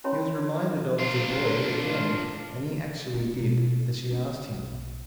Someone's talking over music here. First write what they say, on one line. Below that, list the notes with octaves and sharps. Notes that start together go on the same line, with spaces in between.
He was reminded of "the boy" again, and he actually did as she asked him.
C#4 E4 C#5 B5 C6
D4 F4
D#4
B2
C#4
B1